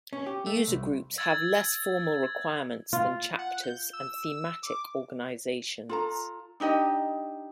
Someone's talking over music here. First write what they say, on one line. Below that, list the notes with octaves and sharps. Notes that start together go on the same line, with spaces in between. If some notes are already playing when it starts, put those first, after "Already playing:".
User groups have less formal requirements than chapters and thematic organizations.
C#4
G4
A3
C2
E6 G#6 A6 F#7
F4
F#5
G6
E6
D6
F4 A4 A#5
D4 D#4 G4 D#5